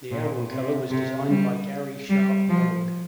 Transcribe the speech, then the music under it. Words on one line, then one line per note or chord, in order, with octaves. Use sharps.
The album cover was designed by Garry Sharpe-Young.
A#2
C3
C3
G3
G3
F3